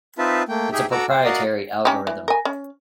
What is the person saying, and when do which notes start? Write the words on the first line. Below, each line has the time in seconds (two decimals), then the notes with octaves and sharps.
It's a proprietary algorithm.
0.18 C4 D#4 F4 B4 E5 A5
0.49 A3 A#3 G5
0.72 D#4 G4 G#4 E5 G5
0.91 F#4 A4 A#5 D6 E6
1.10 C5
1.24 F#4 A#4 D5 D#5 F5
1.85 C#4 D#4 G4
2.07 E3
2.28 A#4 G#5
2.45 C#4